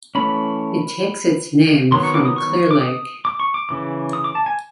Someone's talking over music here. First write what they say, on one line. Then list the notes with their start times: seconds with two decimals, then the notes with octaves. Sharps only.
It takes its name from Clear Lake.
0.15 E3 A3 C#4 B5
1.92 D#3 F#3 B3 C6
2.03 C#6
2.14 D6
2.25 D#6
2.36 C#6
2.71 D6
2.81 D#6
3.25 D6
3.40 C#6
3.54 D6
3.69 C#3 E3 D6
4.13 D#6
4.24 D6
4.35 A5
4.46 G#5